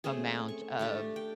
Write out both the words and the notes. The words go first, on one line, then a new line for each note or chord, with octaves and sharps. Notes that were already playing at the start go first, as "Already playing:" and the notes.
amount of
A3 C4 C#4 G#4
C#6
A3 D4 G4
G5